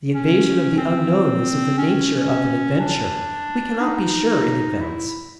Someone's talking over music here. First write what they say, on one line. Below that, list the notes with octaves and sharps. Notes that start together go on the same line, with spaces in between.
The invasion of the unknown is of the nature of an adventure; we cannot be sure in advance.
C#4
C4
C#4
D4
D#4
E4